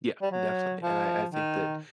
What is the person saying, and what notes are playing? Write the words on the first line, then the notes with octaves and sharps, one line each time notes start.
Yeah. Definitely, and I I think that
G3
F#3
F3
D#3